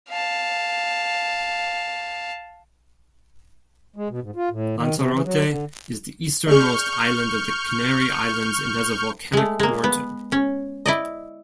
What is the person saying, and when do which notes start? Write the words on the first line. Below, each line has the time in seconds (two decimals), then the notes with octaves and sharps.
Lanzarote is the easternmost island of the Canary Islands and has a volcanic origin.
0.11 F5 A5
3.96 G#3
4.10 B2
4.22 G#2
4.36 F4
4.51 A2
4.76 D#3
4.95 C3
5.13 E3
5.24 F#3
5.44 D3
6.47 G#4 D5 D#5 C#6 F6 G6
9.33 G#3 A3
9.59 G#3 A#3
9.84 B3
10.32 C#4
10.86 E4 D5 D#5